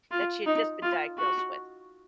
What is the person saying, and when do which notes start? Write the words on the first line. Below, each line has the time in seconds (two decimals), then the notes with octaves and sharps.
that she had just been diagnosed with.
0.11 F4
0.46 D#4
0.82 F4
1.18 F#4